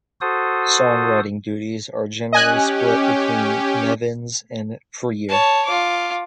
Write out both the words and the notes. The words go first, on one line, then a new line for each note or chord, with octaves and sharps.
Songwriting duties are generally split between Nevins and Puryear.
F#4 A4 C5 D#6
C#4 G4 D#5 G#5 F#6
C#5 A5
F4 D6